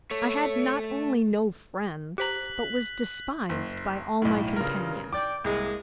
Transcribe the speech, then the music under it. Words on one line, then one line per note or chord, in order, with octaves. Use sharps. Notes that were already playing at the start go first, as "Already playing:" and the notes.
I had not only no friends, but was despised by all my companions.
A3 A4 C#5
G4 C5 A#5 F#6 B6 F#7
F#1
B1 A2
G2 C#3 F4 A#4 A#5
D5 G5 D6
C2 G#3 A#3